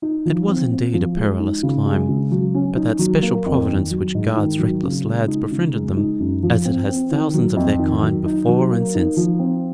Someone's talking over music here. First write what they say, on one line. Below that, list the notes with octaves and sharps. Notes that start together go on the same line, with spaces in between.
It was indeed a perilous climb, but that special providence which guards reckless lads befriended them, as it has thousands of their kind before and since.
D#4
F3
C4
C4
F3
G#3
D#4
C#3
G#3
C#3
F#3
C#4
D#4
F#3
A#3
F2
D#3
F#3
G#2
D#3
F#3
C#3
G#3
D#4
C#3
G#3
D#4
F#2
F3
C4
C4
D#3
F#3
F2
D#3
F#3
D#4
F#3
A#3
D#4
F3
C4